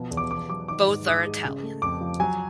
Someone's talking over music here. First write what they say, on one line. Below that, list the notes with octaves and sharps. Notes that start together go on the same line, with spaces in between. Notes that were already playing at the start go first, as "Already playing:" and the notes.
Both are Italian.
Already playing: B2 F3
E2
D6
E2 D6
F#3 D6
D#3 D6
G#2
G#2 D#6
G#3
C#3
A3
F2 D6
F3
F#3 G#5